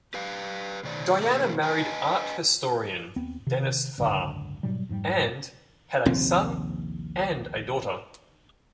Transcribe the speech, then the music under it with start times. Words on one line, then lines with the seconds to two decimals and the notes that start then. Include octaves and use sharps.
Diana married art historian Dennis Farr, and had a son and a daughter.
0.14 G4 B4 F5
0.83 B2 D#3 C5 D5
1.21 B2 D#3 A3 A#3 G4
1.63 B4 D#5 G#5 A5
3.16 D#2 B3 C4
3.47 C3 D#3
3.98 G#1 C#2 F#2 D3
4.63 G#2 B2 F#3 G3
4.89 F1 G#2 C3 G3
6.06 A#1 D#2 C3 C4